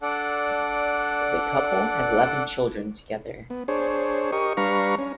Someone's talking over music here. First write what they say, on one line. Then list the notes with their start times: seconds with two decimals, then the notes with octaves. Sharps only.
The couple has eleven children together.
0.02 D4 A4 D5 F#5
3.50 B3
3.68 D4 G#4 C5 C#5
4.32 G4 A#4 D#5 C#6
4.57 G3 D4 B4 F5 A#5 C#6
4.98 C#4